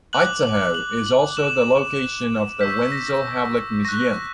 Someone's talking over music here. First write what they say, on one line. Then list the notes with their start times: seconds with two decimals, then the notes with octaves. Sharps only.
Itzehoe is also the location of the Wenzel Hablik Museum.
0.13 D6 F#6 F#7
0.43 F#7
0.74 F#7
1.06 F#7
1.37 D6 F#6 E7
2.60 C#6 E6 G6 B6
2.92 A#6
3.85 C#6 F#6 A#6